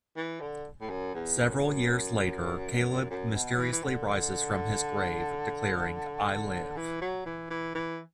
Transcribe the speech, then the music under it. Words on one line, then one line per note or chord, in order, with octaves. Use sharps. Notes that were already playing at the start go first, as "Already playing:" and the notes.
Several years later, Caleb mysteriously rises from his grave, declaring, I live...
E3
D3
A2
F#2
E2
F#2
E2
F#2
F#2
B2
F#3
E3
E3
D3
E3
F#3
E3
E3
E3